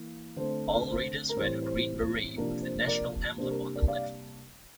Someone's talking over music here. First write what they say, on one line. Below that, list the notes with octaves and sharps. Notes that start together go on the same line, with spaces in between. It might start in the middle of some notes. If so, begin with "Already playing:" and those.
All Raiders wear the green beret with the national emblem on the left.
Already playing: E3 A#3
D3 A3 C4 C5
C5
A#4
A2 E3 G3 C4 C5
C5
C3 F3 A#3 D4 A#4
C5
A#4 D5
C3 G3 A#3 D4 C5
A#4
A#4 D5
D5 F5